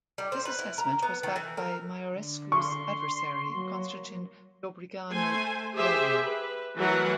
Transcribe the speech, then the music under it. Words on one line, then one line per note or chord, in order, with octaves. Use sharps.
This assessment was backed by Maiorescu's adversary, Constantin Dobrogeanu-Gherea.
G3
C5
B4
E4
A#4
B3
D#3
E3
A#4
D3
C6 C#6
F#3 A#3
A3 C5 G#5
G4 G#4 C5 E5
B4
E3 F#3 A3 A#4 B4 F#5